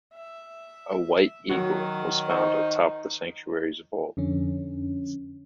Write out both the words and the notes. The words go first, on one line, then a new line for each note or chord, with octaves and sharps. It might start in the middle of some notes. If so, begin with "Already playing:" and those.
A white eagle was found atop the sanctuary's vault.
E5
D#3 F#3 F#4
D#4 C5 F#5 C#6
F2 D3 C#4